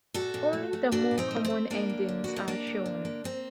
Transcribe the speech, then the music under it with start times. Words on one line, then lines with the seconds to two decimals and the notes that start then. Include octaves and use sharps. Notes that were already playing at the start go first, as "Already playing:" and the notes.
Only the more common endings are shown.
0.14 A#2 F#4 A4
0.34 A#2
0.53 A3
0.73 A3
0.92 A#2 D4 F#4
1.11 A#2
1.18 C4 D#4
1.31 A3
1.45 C4
1.50 A3
1.70 G3 A#3 D4
1.90 D2
2.09 D3
2.24 A#3 F#4
2.36 D#4
2.47 G3 A#3 D4
2.67 D2
2.86 D3
3.05 A#3
3.24 A#3 C4